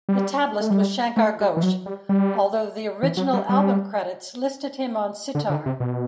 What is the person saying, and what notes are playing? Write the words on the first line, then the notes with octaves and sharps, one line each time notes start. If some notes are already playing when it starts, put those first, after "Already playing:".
The tablist was Shankar Ghosh, although the original album credits listed him on sitar.
G3
A3
G3
A3
G3
E3
F#3
G3
G3
E3
F#3
G3
G3
D3
D3
C3
B2